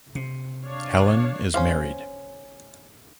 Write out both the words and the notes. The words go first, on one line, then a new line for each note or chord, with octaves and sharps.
Hellen is married.
C3
D4 C#5 F5
C#4 C5 F5